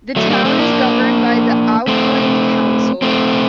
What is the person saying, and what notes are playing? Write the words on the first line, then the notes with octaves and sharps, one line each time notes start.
The town is governed by the Auckland Council.
F#3 A3
G3 A#3
A3 C4
A#3 D4
A3 C4
A3 C4